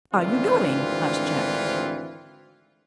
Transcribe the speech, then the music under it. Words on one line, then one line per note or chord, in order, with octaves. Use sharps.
"Are you going?" asked Jack.
G#1 D2 E3 C4 D4 F4